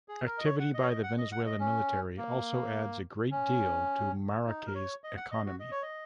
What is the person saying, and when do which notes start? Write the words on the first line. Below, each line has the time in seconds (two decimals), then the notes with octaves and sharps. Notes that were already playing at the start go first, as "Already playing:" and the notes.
Activity by the Venezuelan Military also adds a great deal to Maracay's economy.
0.08 G#4
0.26 A#4
0.38 D#5
0.46 C#5
0.60 F#5
0.74 D#5
0.83 C#5
0.89 D#5
1.03 F#5
1.18 D#5
1.32 F#5
1.47 D#5
1.60 C#4
2.18 A#3
3.31 C#4
4.46 D#4
4.66 A#4
4.75 C#5
5.04 D#5
5.17 F#5
5.31 D#5
5.45 F#4
5.60 D#5
5.71 C#5
5.82 D#5